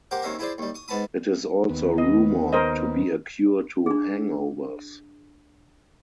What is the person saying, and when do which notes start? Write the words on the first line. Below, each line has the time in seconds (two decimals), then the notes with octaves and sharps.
It is also rumoured to be a cure to hangovers.
0.11 A#3 G4 A#4 C5 F#5
0.22 D#2 C4 C#4 E5 F5 A#5
0.39 E4 G#4 C5 D5
0.58 D#2 G3
0.75 C#6 D#6
0.88 G#2 B3 A5 B5 D#6
1.69 D#2 B3
1.98 D#5
2.53 A#4 C5 D#5
3.86 D4 G#4